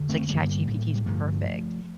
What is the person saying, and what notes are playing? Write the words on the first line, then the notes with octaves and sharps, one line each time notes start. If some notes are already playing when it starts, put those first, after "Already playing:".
it's like ChatGPT is perfect.
Already playing: F2 D3
A3 C4
G2 D3 G3 A#3
A2
G3
G2 D3 F3 A3